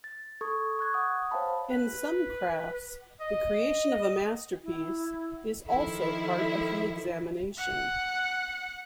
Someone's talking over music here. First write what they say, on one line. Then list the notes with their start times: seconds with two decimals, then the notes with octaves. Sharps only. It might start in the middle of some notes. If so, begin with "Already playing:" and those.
In some crafts, the creation of a masterpiece is also part of the examination.
0.04 A6
0.41 A4 C#6 D#6 G#6
0.79 C#6 F#6 G#6
0.94 F#5 D#6
1.31 C5 C#5 F5 G5 A5 B5
1.70 B4
3.21 D#5
4.63 E4
5.67 D#3 F3 E4 A4 E5
7.58 F#5